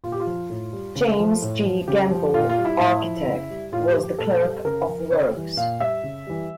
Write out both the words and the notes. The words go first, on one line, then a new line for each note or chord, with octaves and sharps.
James G. Gamble, architect, was the clerk of works.
A#2 F4
G4
F4
F3
A2
G3
C#3
F3
A2
F3
C#3 G4
F3
A#2 F4
F4
G3
E4
A2 E4
F3
C#3
G3
A2 F4
G4
F3
G4
A#2 A4
G3
C#3 A#4
F3
C#3 C#5
E3 G3
A#2 F5
G3 E5
C#3
E3 G3